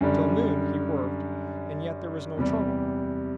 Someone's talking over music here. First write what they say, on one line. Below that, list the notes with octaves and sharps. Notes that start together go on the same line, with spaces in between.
Till noon he worked and yet there was no trouble.
F#2 D3 G3
E2 C3 G3